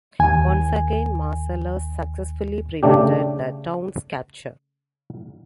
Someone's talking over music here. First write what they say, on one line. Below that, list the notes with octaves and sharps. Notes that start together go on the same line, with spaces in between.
Once again, Marcellus successfully prevented the town's capture.
D#2 G#5
C#3 A3 D4 G4